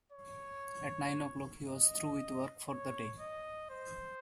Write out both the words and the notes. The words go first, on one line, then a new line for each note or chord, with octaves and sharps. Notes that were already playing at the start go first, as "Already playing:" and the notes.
At nine o'clock he was through with work for the day.
C#5
D#5
C#5
D#5
C5